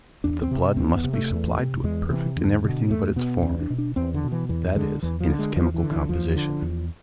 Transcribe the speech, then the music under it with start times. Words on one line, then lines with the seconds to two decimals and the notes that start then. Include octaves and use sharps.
But the blood must be supplied to it perfect in everything but its form--that is, in its chemical composition.
0.24 E2 D4
0.42 C4
0.51 C3
0.77 E2 C4
0.96 B3
1.04 C3
1.13 A3
1.31 E2
1.57 C3
1.84 E2 G#3
2.10 C3 E3
2.36 E2 D3
2.64 B2 D3
2.90 E2 A3
3.16 B2 B3
3.43 E2 C4
3.60 D4
3.70 B2
3.78 D4
3.96 E2 C4
4.14 D3
4.23 B2
4.32 E3
4.49 E2 E3
4.76 D3 G#3
5.03 E2 E3
5.20 F3
5.30 D3
5.39 G#3
5.56 E2 F3
5.74 E3
5.83 D3
5.91 E3
6.09 E2 F3
6.36 D3
6.62 E2